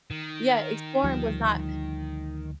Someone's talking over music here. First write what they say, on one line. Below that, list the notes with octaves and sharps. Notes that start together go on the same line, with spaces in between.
Yeah, exploring was not
D#3
D2 F3 G3